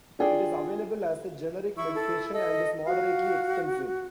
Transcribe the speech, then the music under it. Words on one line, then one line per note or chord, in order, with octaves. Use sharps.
It is available as a generic medication and is moderately expensive.
D4 F4 G#4 D5 G5
E4 C#6
A4
A4 D#5
F#4 F5